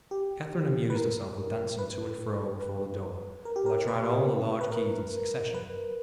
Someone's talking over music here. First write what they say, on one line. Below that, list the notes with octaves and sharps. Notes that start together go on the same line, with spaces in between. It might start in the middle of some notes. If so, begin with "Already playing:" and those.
Catherine amused herself with dancing to and fro before the door, while I tried all the large keys in succession.
G4
B4
A#4
B4
B4
A#4
G4
A#4
B4
B4
A#4
B4